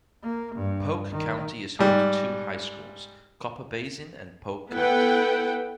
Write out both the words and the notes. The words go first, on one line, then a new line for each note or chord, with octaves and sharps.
Polk County is home to two high schools, Copper Basin and Polk County.
A#3
G2
D#3
G#2 G3
B3 E4 A4 B4 F#5 G5